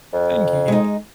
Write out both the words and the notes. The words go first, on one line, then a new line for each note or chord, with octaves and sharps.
Thank you.
F2
G#3 D#4